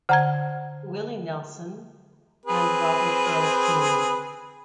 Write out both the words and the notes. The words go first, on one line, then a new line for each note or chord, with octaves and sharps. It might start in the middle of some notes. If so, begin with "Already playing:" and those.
Willie Nelson, and Robert Earl Keen.
D3 C5 F#5 A5 A#5 G#6
C4 G#4 B4